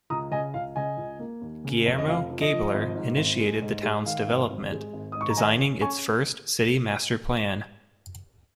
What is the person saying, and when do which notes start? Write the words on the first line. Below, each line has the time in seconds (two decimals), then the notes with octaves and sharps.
Guillermo Gaebeler initiated the town's development, designing its first city master plan.
0.10 C#2 A#5 D#6
0.31 C#3 D#5 G#5
0.54 C#2 F5
0.76 C#3 D#5 G#5
0.97 C#2
1.19 A#3
1.42 D#2
1.64 C#3
1.86 F1
1.98 D#5
2.08 F3 F5
2.30 F3
2.41 D#5
2.52 F3
2.74 G#1
2.95 G#2
3.17 G#1
3.40 G#3
3.62 G#2
3.83 G#3
4.06 D#3 F5
4.28 G#1
4.50 G#1
4.72 G#3
4.93 G#1
5.12 G#2 D#6
5.21 C#6
5.30 A#5
5.37 D#3 D#5 G#5
5.59 C#4
5.81 C#4 G#5 C#6